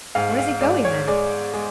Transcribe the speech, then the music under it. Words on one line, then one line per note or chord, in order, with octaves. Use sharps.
"Where is it going then?"
G#2 F5
F5
G#2 D5
C#5
G#3 D5
G#3